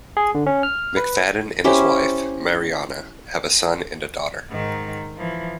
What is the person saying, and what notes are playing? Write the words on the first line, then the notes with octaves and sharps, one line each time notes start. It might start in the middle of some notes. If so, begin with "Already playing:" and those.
McFadden and his wife, Marianna, have a son and a daughter.
G#4
D3
C#4
F6
B4
C#4 E4 G4 C5
G#2 D#3
E3 F3